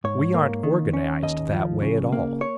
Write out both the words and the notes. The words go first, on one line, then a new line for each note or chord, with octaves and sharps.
We aren't organized that way at all.
G#2 C#5
A#3
D#3
C#4
D#2 D#5
F3
C#3
A#3
C#5